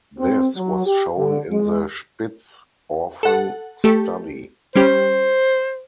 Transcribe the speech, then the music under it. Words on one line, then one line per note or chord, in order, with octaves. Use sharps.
This was shown in the Spitz orphan study.
C4
F#3
G4
D3
G#3
A4 F#5
A3 G4 A4
G3 C#4 G4 C5